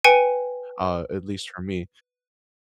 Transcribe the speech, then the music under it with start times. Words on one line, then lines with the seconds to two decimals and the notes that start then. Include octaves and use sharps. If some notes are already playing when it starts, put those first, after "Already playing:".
uh, at least for me,
0.04 B4 G5 G#5 C#7 D#7